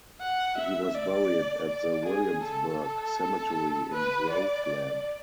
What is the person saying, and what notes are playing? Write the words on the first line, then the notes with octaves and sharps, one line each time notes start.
He was buried at the Williamsburg Cemetery in Groveland.
F#5
E5
D5
D5
G#4
A4
A4
B4
D5
D5